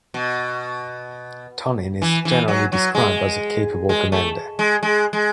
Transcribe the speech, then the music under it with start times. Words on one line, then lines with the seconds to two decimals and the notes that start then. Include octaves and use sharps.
Tonyn is generally described as a capable commander.
0.14 B2
2.02 E3
2.25 E3
2.48 F#3
2.72 F#3
2.95 G#3
3.89 G#3
4.12 A3
4.59 G#3
4.83 G#3
5.13 G#3